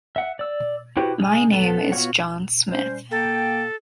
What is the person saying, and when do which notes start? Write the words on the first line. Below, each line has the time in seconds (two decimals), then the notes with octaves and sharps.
My name is John Smith.
0.16 E5 F#5
0.39 D5 E6
0.97 E4 F#4 G4 B4 C5
1.19 G#3 G#5
1.52 B3 A4
1.92 B3 F4 F#4 C#5 F#5
2.69 G3 C#4 C5
3.11 A#3 A4 G5